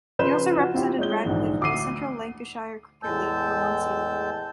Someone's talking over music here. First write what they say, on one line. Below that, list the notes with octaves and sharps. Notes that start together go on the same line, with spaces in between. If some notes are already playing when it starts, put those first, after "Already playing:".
He also represented Radcliffe in the Central Lancashire Cricket League for one season.
C#3 F3 B4 C6 G6 E7
F4 F#4
C4 E4 F4 G4
G#3 C#5 G6 G7
A#1 G#2 D3 E3
D2 D6 E6 C7 D#7
E2 A2 G#3 A5 E6 G6